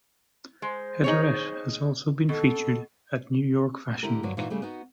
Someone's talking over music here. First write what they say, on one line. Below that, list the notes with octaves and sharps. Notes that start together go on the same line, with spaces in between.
Heatherette has also been featured at New York Fashion Week.
G#3 C5
D#4 G#4 C#5
B2 A4
D3 E4 G4 A#4
G2 D3 F#3
A#2 E3 D#4 F#4
C#3 G3 A3
B3 D#4 F#4